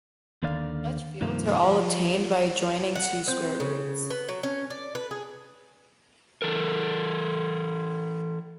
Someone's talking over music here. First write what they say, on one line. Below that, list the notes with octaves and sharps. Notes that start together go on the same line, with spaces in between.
Such fields are all obtained by adjoining two square roots.
D#2 D3 D#3 D5 F5
C2 G2 D#3 F3 A#3
F3
F#5
C4
C#3
B3
F#3
C#4
D5
B4
G#4
E3 A4 A#4